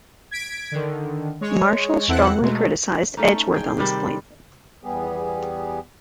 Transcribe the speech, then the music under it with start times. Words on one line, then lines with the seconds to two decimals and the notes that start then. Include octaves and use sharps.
Marshall strongly criticised Edgeworth on this point.
0.31 G#6 B6 D7
0.72 D3 D#3
1.41 G#3 C#5
2.08 E2 C4 E4 A4 F#5 F#6
2.41 B2 F#3 G#3 A3
3.17 A3 C#4 D#4
3.54 G#4 G5
3.78 C3 D#3 G3 C4
4.84 E2 G3 B3 G4 G#4